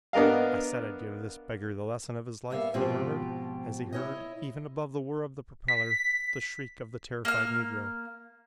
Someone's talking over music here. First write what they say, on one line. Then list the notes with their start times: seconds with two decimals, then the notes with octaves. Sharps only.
"I said I'd give this beggar the lesson of his life," he murmured as he heard, even above the whir of the propeller, the shriek of the terrified Negro.
0.13 B3 D4 A#4 D#5 F5
2.50 G2 A#3 B3 E5 F5
2.74 G#2 B2 F3 C4 F4 G4
3.93 E4 C#5 D#5
5.68 B6
7.25 A#3 F6